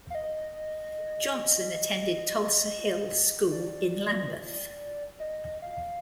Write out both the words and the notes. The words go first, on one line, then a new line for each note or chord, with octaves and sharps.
Johnson attended Tulse Hill School in Lambeth.
F5
D#5
D5
D#5
F5